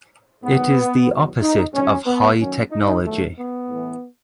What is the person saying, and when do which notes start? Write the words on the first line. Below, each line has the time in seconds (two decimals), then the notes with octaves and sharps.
It is the opposite of high technology.
0.42 G#2 D#3 F#3 B3
1.08 E2 B2 F#3
1.41 D#4
1.73 G#2 D#3 F#3 C#4
2.06 B3
2.39 F#2 D#3 F#3 C#4
2.71 D#4
3.04 E2 D#3 F#3 A3
3.36 B3
3.69 A2 E3